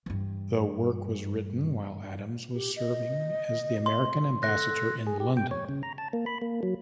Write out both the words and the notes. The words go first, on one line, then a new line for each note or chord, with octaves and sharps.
The work was written while Adams was serving as the American ambassador in London.
G2 E3
G4
D#5
C6
A4 F#6 A#6
G#4
G4
G5
C#5
C#3
A#5
A5
A#3
B5
A#3
F#3